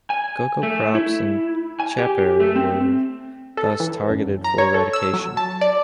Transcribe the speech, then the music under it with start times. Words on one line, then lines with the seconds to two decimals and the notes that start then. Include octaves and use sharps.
Coca crops in Chapare were thus targeted for eradication.
0.10 G#5
0.63 A3
0.95 E4
1.80 G#5
1.98 G4
2.40 A3
2.56 C4
3.57 A4
3.80 E3
4.09 F#2
4.44 A#5
4.58 C#5
4.74 A4
4.93 E6
5.13 F#3
5.37 A5
5.61 D5